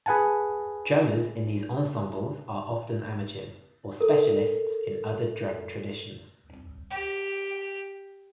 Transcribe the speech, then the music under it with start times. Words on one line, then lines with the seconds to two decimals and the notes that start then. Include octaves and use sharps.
Drummers in these ensembles are often amateurs, or specialists in other drum traditions.
0.06 G#4 B4 F#5 G#5 A5
4.00 A4 A#4
6.91 G4